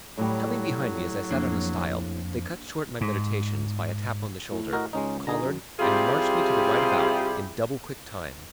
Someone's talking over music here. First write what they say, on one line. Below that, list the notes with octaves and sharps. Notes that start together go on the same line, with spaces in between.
Coming behind me as I sat on a stile, they cut short my meditations by a tap on the shoulder, collared and marched me to the right about in double quick time.
A2 F#3 G3
F2 A#3 D4
G#2
A2
F#4 A#4 D#5
C#2 G#3 C#4 D#4
D3 D#4 G#4 A#5
F#2
C3 G3 E4 F4 G4 G#4